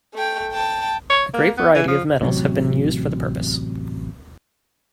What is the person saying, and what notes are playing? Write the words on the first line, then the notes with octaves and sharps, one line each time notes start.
A great variety of metals have been used for the purpose.
A3 G5
G5 A5
C#5
A#3
B3
E3
F3
A1 C3 D#3 F#3